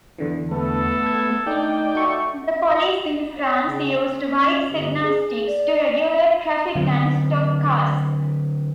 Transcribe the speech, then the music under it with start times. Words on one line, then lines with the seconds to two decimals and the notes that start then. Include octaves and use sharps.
The police in France used white signal sticks to regulate traffic and stop cars.
0.19 E2 D3 E3
0.51 A3 B3 A4
1.06 G#6
1.47 A3 D4 D#4 D5 G5
1.95 A3 F#4 C#6
3.36 C#5
3.67 C#3
4.12 C#4
4.71 G1
5.04 G#4
5.48 D5
6.75 D3 F#3 G#3 C4